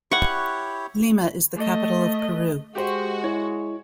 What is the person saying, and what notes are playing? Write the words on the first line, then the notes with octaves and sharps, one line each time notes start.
Lima is the capital of Peru.
E4 G4 C#5 F#5 C#6
A3 D#5
G#3 F#4 G4 C5
E4 C#5